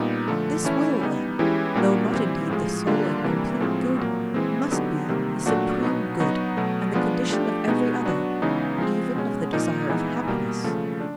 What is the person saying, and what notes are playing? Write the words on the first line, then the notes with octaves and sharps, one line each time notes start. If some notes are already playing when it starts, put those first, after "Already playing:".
This will then, though not indeed the sole and complete good, must be the supreme good and the condition of every other, even of the desire of happiness.
Already playing: A#2 G3 B3 D#4
D3 F3 A3
E3 A3 C#4 E4
G3 B3 D#4
E3 G#3 C#4 E4 G4
A#2 G3 A#3 D4 F#4
E3 G3 C4 E4 G4
A2 F3 G#3
D3 G3 A#3 D4 F4
C3 E3 G3 A#3 D4
A2 F3 G#3 C4
A#2 F#3 A#3
E3 G#3 C4
D3 F#3 B3 D#4 G4
C3 D#3 G3 A#3
A#2 F#3 A3 D4 F#4
B2 F#3 B3 D#4
F#3 B3 D#4 F#4
B2 F#3 A3
F3 G#3 B3 D4
F3 A3 D4 G4
B2 G#3 B3 D#4 F#4
F#3 B3 D4 F#4
C#3 E3 G#3 B3 D#4
F3 G#3 C4
B2 G#3 C#4
A#2 F3 A#3 D#4
E3 G#3 B3 D#4
B2 G3 A#3
C#3 F3 A3
D4